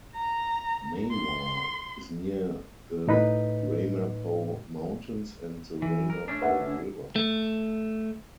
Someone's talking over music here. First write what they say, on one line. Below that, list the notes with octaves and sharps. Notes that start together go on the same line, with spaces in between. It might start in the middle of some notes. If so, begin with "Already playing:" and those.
Mahwah is near the Ramapo Mountains and the Ramapo River.
A#5
C6
A2 D#4 B4 B5
E3
A#4
A3 C#4 D4
B4 E5 F#5
A3